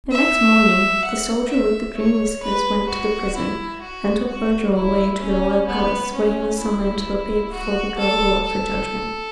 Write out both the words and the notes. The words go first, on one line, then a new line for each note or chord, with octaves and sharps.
The next morning the Soldier with the Green Whiskers went to the prison and took Ojo away to the royal palace, where he was summoned to appear before the girl Ruler for judgment.
E5
F#5
E5
C#5
B4
F#4
E4
F#4
F#4
E4
C#4
B3
C#4
E4
F#4
A4
A4